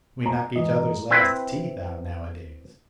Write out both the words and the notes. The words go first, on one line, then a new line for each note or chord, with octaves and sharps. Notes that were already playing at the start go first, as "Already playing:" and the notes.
We knock each other's last teeth out nowadays.
A#5
G#2 E3 D#5
C4 E4 B4